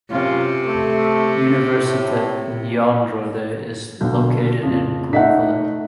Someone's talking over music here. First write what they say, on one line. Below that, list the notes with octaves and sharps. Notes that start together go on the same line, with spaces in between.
Universiteit Nyenrode is located in Breukelen.
F#2 C3 C#4 F4
A3
A2
B1 D3 G6
F2 C#3 F3
A3 D#4 E5 F#5 B6